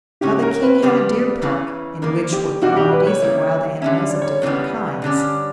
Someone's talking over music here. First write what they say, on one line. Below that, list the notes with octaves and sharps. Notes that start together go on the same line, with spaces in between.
Now the King had a deer park in which were quantities of wild animals of different kinds.
C#3 F#3 C#4 E4 G4
A#4
B4
E2 C#3 G3 A#3
E2 C#3 E3
F#2 D3 A#3 A#4
G4
B2 G3 A#3 D4 F#4
G4
B4
C#5
C#3 G3 A#3 E4
D3 G3 C#4 E5
D5
C#5
E2 C#3 E3 G3 B3
G2 D3 G3 C#4